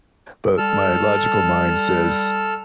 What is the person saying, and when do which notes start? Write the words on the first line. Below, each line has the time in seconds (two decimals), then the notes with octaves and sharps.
But my logical mind says,
0.58 G3 A4 E6 F6